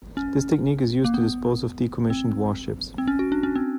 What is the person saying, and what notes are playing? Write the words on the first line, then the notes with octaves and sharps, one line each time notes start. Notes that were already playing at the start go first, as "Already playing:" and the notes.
This technique is used to dispose of decommissioned warships.
C#4
A#3
B3
C4
C4
C#4
F#4
D4
C#4
C4